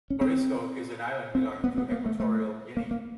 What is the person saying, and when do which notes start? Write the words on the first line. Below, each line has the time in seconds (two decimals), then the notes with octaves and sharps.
Corisco is an island belonging to Equatorial Guinea.
0.10 C#4
0.21 C4
1.35 C4
1.64 B3
1.78 B3
1.92 A#3
2.06 A3
2.20 A3
2.77 A#3
2.91 A#3